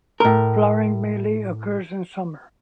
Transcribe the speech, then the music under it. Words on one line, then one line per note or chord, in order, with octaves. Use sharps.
Flowering mainly occurs in summer.
A2 A#4